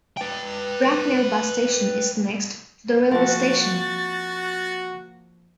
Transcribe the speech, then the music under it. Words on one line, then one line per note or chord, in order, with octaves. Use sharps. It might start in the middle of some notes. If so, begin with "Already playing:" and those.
Bracknell bus station is next to the railway station.
B4 G5
F3 A#3 C4 F#4 F#5 A6